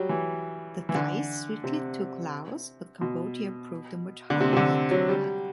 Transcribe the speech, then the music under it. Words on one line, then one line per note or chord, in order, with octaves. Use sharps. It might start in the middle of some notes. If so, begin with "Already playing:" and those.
The Thais swiftly took Laos, but Cambodia proved a much harder nut to crack.
Already playing: F#3 G3
E3
E3
D3
C3
B2
D3
C3
C3
D3
F#3
G3